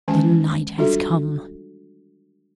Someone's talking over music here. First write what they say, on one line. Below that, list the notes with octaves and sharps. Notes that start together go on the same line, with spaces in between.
The night has come!
D#3 E3 G#3 C#4 G#5 A5
G3 D4 F4 F#4 A4 E5